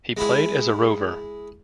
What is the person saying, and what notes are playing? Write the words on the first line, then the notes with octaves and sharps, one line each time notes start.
He played as a rover.
G#3 E4 G#4